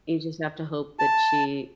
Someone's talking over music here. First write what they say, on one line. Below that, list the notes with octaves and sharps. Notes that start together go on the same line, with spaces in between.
you just have to hope that she,
A5